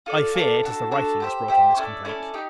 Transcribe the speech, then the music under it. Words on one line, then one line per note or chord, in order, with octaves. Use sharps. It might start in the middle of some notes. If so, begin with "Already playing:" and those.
I fear, it is the writing has brought on this complaint.
F4 A4 D5
F4 A4 D5
D4 F#4 A4
D4 F#4 A4
G4 C5 E5
G4 C5 E5
C#4 E4 A4 D5
C#4 E4 A4 D5
D#4 G4